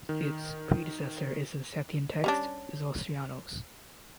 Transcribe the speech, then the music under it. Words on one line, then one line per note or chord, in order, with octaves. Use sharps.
Its predecessor is the Sethian text, "Zostrianos".
D#3
G3 C#4 D4